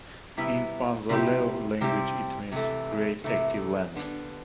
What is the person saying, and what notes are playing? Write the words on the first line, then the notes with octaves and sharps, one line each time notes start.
In the Panzaleo language it means: Great active land.
C3 G3 B3 E4
C3 G3 C4 E4 G4
C3 G3 C4 E4 G4
C3 E3 A3
C3 E3 A3
D3 G3 B3 D4